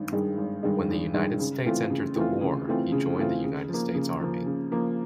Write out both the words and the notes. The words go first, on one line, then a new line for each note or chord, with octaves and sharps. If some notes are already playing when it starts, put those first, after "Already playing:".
When the United States entered the war he joined the United States Army.
Already playing: G#1 G2 D#3
G2 D#3 G#3
G#1
G2 D#3 G#3
G#1
G2 D#3 G#3
C#3
E3 A3 C4 F4
C#3
E3 A3 C4 F4
C#3
E3 A3 C4 F4
C#3
E3 A3 C4 F4
C#3
F3 A#3
C#3
F3 A#3
C#3
F3 A#3